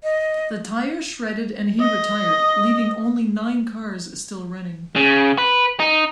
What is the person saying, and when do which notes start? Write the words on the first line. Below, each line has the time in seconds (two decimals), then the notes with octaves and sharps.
The tire shredded and he retired, leaving only nine cars still running.
0.03 D#5
1.81 D#5
4.96 C#3
5.38 B4
5.80 D#4